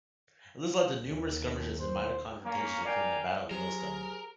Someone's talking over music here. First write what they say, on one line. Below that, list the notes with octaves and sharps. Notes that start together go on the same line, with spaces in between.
This led to numerous skirmishes and minor confrontations including the Battle of Millstone.
D#2
C5
A#3 C#4
A#4 D5 F5 G5 G#5
F#3 G4 G#4 A#4 C5